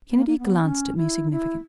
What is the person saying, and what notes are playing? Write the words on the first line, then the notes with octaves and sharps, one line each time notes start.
Kennedy glanced at me significantly.
B3
A#3
A#3
B3
C#4
E4
E4